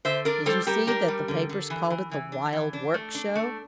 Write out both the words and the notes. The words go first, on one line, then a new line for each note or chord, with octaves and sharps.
Did you see that the papers called it the "Wild Work Show"?'
D3 C5 E5
D4 A#4 D5
G3 A4 C5
G3 G4 A#4
D4 G4 A#4
G3
D3
D3
E3
E3
E3
D4
E3
D4
A3
D4
A3